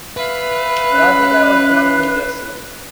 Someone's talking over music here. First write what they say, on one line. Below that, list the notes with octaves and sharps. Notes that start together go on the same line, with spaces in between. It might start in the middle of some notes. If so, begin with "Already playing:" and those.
Rah Digga was born in New Jersey.
B4 E5 F5 B5
C#4 F#6